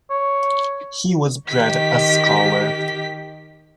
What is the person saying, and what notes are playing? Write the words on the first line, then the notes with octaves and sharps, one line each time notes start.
He was bred a scholar.
C#5
D#3 G4 B6